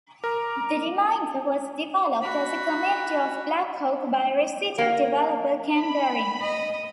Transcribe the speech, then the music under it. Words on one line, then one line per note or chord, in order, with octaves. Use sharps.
The remainder was developed as the community of Blackhawk by resident developer Ken Behring.
A#4 A#5 D6
F#4 B5
A#3
B5
D#5